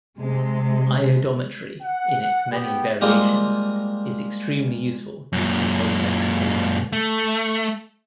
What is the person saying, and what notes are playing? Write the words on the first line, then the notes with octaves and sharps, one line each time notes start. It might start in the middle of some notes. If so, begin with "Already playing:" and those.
Iodometry in its many variations is extremely useful in volumetric analysis.
C3 G#3
F#5
B3 G4
G3 G#3 A#3 C4 F4
F#2 A#2
A3